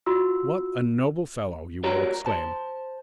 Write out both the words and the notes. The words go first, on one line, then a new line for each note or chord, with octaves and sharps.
"What a noble fellow!" you will exclaim.
F4 F#4 E6
F#4 G4 A#4 C#5 D5
C5 A5